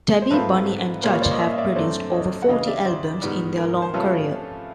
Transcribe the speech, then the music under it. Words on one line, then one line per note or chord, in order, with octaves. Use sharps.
Tabby, Bunny and Judge have produced over forty albums in their long career.
C5
G#2 F3 A3 C4 F4 A4 B4
A#2 G3 A#3 C#4 F4 A#4 C5
B4 C#5
C5 D5
C#5 D#5
D5 E5
D#5 F5
D5 E5
F#2 D3 F#3 A3 C4 C5 D5
C#5 D#5
F#5
D2 C#3 E3 D#5 F5
D5 E5
C5 D5
G#2 D#3 G3 B3
A#4
C5
C3 F3 A3 C#4 F4 A4 B4